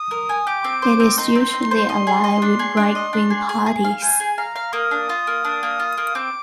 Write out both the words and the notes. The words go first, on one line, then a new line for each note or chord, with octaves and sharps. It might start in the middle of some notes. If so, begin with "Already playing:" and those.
It is usually aligned with right-wing parties.
Already playing: D#6
A#4
G#5
G4 D6
C4
C5
C4
D#4 C6
C4
D#4
C5
D#5
G#4
D#5
D4
G#4
D4
D#5
D4
G#4
G#4
G#4
F5
C5 G#5
G#4
F5 A#5
F5
A#3 D#6
D4
F4
A#3
D4
A#3
F4
A#3
C4 D6